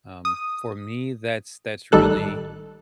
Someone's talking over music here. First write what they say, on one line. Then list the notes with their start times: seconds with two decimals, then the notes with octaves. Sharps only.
um, for me, that's that's really
0.25 D#6
1.92 A1 D#3 G3 A4 F#6